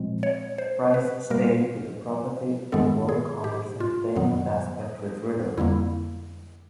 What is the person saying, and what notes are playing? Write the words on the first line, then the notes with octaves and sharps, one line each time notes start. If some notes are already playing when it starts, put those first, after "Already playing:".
Rice stayed with the property to work on its entertainment aspect with Riddle.
Already playing: A#2 F3 G#3 C4
C#5
C5
B4
B2 G3 A#3 A#4
G2 D#3 G#3 B3 A4
G#4
G4
F4
F#2 D#3 F#3 B3
F2 D3 G3 A#3 E4